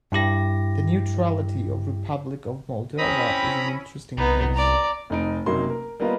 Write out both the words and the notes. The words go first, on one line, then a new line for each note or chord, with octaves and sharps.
The neutrality of Republic of Moldova is an interesting case.
G2 E4 G4 A#6
C4 C#4 E4 A#5 B5 D#6
C2 B3 D#4
D5 A#5
F1 D#4 D7
F#1 C3 F#3 A#3 D#4 C6
A#4
G3 A#3 B3 F4 A#4 D#5